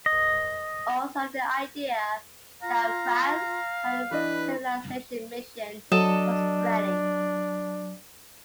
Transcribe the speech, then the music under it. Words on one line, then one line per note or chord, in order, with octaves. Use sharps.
Also, the idea that France had a civilizing mission was spreading.
D#5
F4 F5 A#5
E3 D4 E4 B4 D#5
F#3 D4 A4 D#5 A5